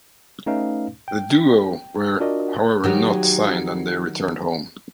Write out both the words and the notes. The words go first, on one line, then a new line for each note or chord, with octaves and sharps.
The duo were however not signed and they returned home.
A3 C#4 D#4 B4 F5
G5
D4 F4 F#4 A#4 D5 D#5
D#3 F#3 G4